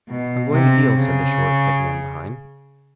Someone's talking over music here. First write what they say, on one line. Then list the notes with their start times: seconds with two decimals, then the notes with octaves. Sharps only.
"I'm going to deal," said the short, thick man behind.
0.09 B2
0.52 C3
0.95 C#3